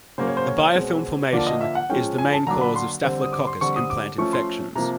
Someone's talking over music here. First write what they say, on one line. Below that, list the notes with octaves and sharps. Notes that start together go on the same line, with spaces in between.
The biofilm formation is the main cause of "Staphylococcus" implant infections.
C#3 F#3 A#3 C#4 C5
C#5
C5
C#5
B2 G#3 C4
D3 F3 A#3 D4 D5
D#5
E5
F#5
F3 G#3 C#4 G5
G#5
A5
D3 F#3 A#3 D4 A#5
B5
C6
D3 G3 C4
D#6
D6
C6
D3 G3 C4 C#6
D#6
D6
F3 A3 C#4 C#6
C6
C3 F3 A#3 A#5